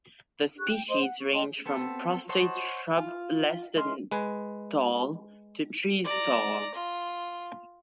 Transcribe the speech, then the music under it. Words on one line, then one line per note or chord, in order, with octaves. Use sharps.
The species range from prostrate shrubs less than tall to trees tall.
G4 C#6 F#6
G5
C5 D#5 C6
F#5
C#6
D#5 G5 A5 C6
B3 C4 A4
C5 C#5 D#5 F#5 A5
F4
G#3 D#5 E5 C6 F6
G#3 B4 G#5
D5 A#5
F4